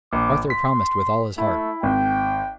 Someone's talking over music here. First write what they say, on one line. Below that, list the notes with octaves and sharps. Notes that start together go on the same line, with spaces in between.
Arthur promised with all his heart.
A#1 D6
C6 B6
A3 E4
G#1 G5